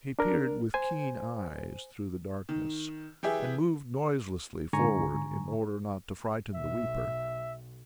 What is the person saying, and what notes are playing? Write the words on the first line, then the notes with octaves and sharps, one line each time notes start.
He peered with keen eyes through the darkness and moved noiselessly forward, in order not to frighten the weeper.
D4 A#4
C5 G#5
D#3
E3 G4 G#4 E5
G#2 D3 G#5 A#5 C#6
B1 E5